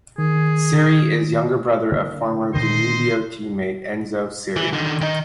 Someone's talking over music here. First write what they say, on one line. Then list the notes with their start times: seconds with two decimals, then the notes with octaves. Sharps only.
Siri is younger brother of former Danubio teammate Enzo Siri.
0.18 D#3 G#4
1.92 D3 A#3
2.54 A#2 D3 D#3 C5 D#5 C6
4.56 E3
4.73 D3 D#3
5.01 D#3 D#4